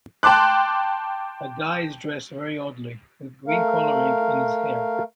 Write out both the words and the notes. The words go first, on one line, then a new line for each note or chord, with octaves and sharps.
A guy is dressed very oddly, with green coloring in his hair.
G5 A5 C6 D6 F#6
A3 A#4 F5